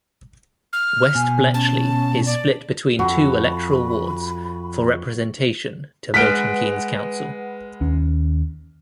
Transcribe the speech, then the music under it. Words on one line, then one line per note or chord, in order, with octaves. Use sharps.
West Bletchley is split between two electoral wards for representation to Milton Keynes Council.
F6
B2 G#5
C#4 A5
D5
F2 F#4 B5
G#3 B4 F#5 F6 F#6 B6 D7 G7
D#2 C#4